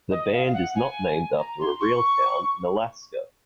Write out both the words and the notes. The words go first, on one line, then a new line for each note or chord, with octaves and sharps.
The band is not named after a real town in Alaska.
D#5
F5
F5
F#5
G#5
A#5
C6
C#6